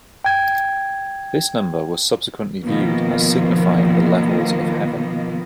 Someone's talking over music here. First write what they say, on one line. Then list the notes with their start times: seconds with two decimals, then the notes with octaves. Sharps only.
This number was subsequently viewed as signifying the levels of heaven.
0.24 G5 G#6
2.63 B2 D#3 F3 A#3 B3